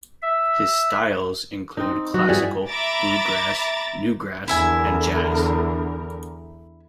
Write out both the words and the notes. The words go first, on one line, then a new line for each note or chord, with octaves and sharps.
His styles include classical, bluegrass, newgrass, and jazz.
E5
C4 D#4
F#3 F#4
G2 G3 E4 F4 G#4 F#5
E5 A#5 B5 D6 A6
E2 D3 E4 A#4 E5 G#5